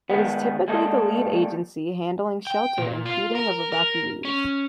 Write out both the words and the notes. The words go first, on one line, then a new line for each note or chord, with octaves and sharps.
It is typically the lead agency handling shelter and feeding of evacuees.
D#3 G3 G#3 B3
G3 G#3 A#3 A4 D#5
G5
A#2
F4
A#4
A#4
C#4